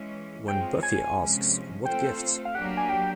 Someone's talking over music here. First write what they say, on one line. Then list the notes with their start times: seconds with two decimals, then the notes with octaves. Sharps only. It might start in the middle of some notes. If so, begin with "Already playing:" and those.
When Buffy asks What gift?
Already playing: E3 G#3 C#4
0.47 G#3 C4 F4 G#4 C#5 G5
0.83 G#5
1.17 C3 F3 G#3 C#4
1.85 A3 C4 F4 A4 C5 G5
2.45 F5
2.55 F#3 A#3 D4 G4 F#5
2.77 G#5
2.89 G5